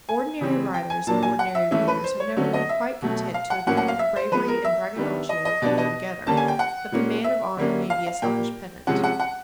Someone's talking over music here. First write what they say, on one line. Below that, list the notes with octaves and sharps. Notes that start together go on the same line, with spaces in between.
Ordinary writers and ordinary readers have never been quite content to admit that bravery and braggadocio can go together, that the man of honour may be a selfish pedant.
G#5
C#3 E3 G3 C4
G5
G#5
A#2 F#3 A#3 D4 A5
G#5
F#5
E5
E3 A3 C#4 E5
B4
C5
C#5
D3 F#3 A3 C#4
D#5
E5
B2 F#3 A3
F5
F#5
A2 F#3 A#3 C#4 F#5
F#5
F5
E5
C5
F3 G#3 B3 B4
A#4
E5
D#3 G3 B3 D4
D#5
D#5
B2 G3 B3 D4 D5
D#5
D3 G3 A#3 C#4 A5
G#5
G5
F#5
A#2 G3 A#3 C#4
E5
D3 G3 A#3 C#4
F5
F5
A#2 G3 A#3 G5
C3 F3 G#3 C#4 F#5
F#5
F#5